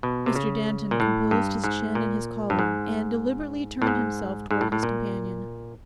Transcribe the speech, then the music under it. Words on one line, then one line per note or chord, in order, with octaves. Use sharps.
Mr Danton composed his chin in his collar, and deliberately turned himself towards his companion.
B2
C3
C#3
A#2
A2
G2
G#2
A#2
G2
G#2
A2
G#2
G#2
A2
A2
A#2